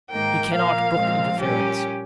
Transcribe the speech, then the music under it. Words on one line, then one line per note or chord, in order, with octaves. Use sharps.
He cannot brook interference.
G#2 D#3 A#3 G5
A#2 F3 A#3 F5
A#2 F3 G#3 C4
A#2 G3 C#4 G4